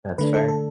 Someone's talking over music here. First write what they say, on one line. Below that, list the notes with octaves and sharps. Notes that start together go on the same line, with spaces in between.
That's fair.
D3 A3 D4 B4
A4
A4